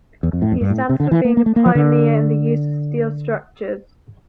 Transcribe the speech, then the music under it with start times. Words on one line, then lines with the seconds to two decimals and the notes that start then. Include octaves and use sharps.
He stands for being a pioneer in the use of steel structures.
0.23 E2
0.33 F2
0.42 A2
0.52 F2
0.61 G2
0.70 A2
0.89 C3
1.00 D3
1.11 E3
1.25 A#3
1.37 A#3
1.46 A3
1.56 A#3
1.66 F3
1.75 D3